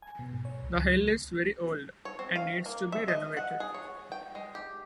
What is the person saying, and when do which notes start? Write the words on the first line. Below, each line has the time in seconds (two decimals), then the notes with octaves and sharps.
The hill is very old and needs to be renovated.
0.02 G#5
0.19 B2
0.32 G#2
0.45 C#5
0.62 C2
0.74 C#2
2.05 C#5
2.19 C4
2.36 F5
2.66 A#3
2.92 E5
3.08 D#5
3.37 F#5
3.60 G#4
3.74 C#5
4.12 G5
4.35 G#3
4.55 G4